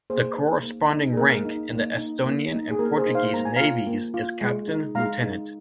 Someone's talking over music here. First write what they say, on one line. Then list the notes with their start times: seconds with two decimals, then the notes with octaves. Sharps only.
The corresponding rank in the Estonian and Portuguese navies is captain lieutenant.
0.10 A#3 G#4 C5
0.36 D#4
0.63 A#3
0.90 D#4
1.13 G#4
1.17 A#3 A#4
1.45 D#4
1.72 A#3
1.98 D#4
2.26 A#3
2.52 D#4
2.71 G#4
2.79 A#3 A#4
2.97 G#4 C5
3.06 D#4
3.15 C5 F5
3.33 A#3 A#5
3.45 G#5
3.56 F4 F5 A#5
3.87 A#3
4.14 F4
4.41 G#3
4.68 D#4
4.95 G#3 F5 A#5
5.23 D#4